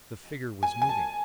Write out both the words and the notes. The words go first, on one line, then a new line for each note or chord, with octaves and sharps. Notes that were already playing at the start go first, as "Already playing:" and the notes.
The figure was moving.
G#5
G#5
A5